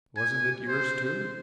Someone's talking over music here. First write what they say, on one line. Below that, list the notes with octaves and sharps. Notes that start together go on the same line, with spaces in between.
Wasn't it yours, too?'
G#5
C5
C5